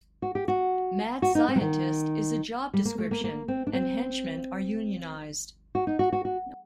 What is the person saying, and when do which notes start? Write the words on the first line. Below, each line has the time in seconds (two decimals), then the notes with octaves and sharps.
"Mad scientist" is a job description, and henchmen are unionized.
0.22 F#4
0.35 G4
0.48 F#4
1.22 F#4
1.35 D#4
1.48 C4
1.55 F#3
1.61 D#3
2.74 G3
2.85 A#3
2.98 A3
3.11 A#3
3.24 A#3
3.48 C4
3.67 D4
3.73 C4
5.75 F#4
5.87 D#4
5.99 F#4
6.13 F#4
6.25 F#4